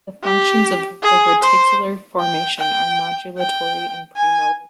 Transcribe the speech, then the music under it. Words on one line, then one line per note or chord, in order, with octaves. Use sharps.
The functions of the reticular formation are modulatory and premotor.
G4
G#4
C5
G5
G5
G5
G#5